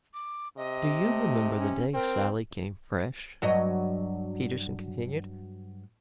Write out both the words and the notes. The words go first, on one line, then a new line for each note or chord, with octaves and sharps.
"Do you remember the day Sally came fresh?" Peterson continued.
D6
C3 D#5
A3
C#4
C4 A#4 G5
G2 F#3 D#5